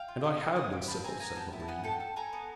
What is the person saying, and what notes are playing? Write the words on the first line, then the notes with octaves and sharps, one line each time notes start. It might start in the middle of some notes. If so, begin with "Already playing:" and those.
'And I have been civil,' said Marie.
Already playing: F5 G5
F4
G#4
F4
C4 F#5 G#5
G4
C4 A5 B5
C4 G#5 A#5
B3 G#5 A#5
B3 G5 A5
E4
A5
B3 F#5 G#5
A4 G5 A5
A4
A4 G#5 A#5
B3